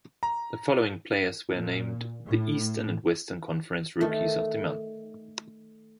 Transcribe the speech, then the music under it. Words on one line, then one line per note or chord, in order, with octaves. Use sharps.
The following players were named the Eastern and Western Conference Rookies of the Month.
A#5
A#2
A2
D#3 A3